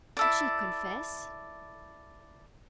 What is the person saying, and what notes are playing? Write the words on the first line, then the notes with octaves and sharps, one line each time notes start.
Should she confess?
E4 A4 D5